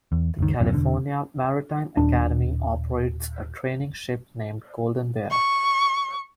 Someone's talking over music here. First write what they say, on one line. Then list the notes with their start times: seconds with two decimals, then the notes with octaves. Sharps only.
The California Maritime Academy operates a training ship named "Golden Bear".
0.12 E2
0.39 F#1 C#2 D#3
0.60 D1 F#2 B2
0.74 E1 D3
1.97 D#1 D4
5.30 C#6